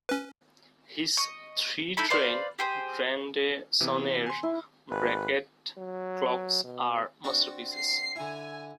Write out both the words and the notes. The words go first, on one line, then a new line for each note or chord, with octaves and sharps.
His three-train "grande sonnerie" bracket clocks are masterpieces.
C#4 B4
D#5 C#6
D#4 E4 A4 B5
B4 C5 D5 F5
G4 G#4 C5
C3 E3 B3
G#5 C6
E4
G#1 B4
F#3
B2
C4 D4 F#4
C7
D3 E4 G#5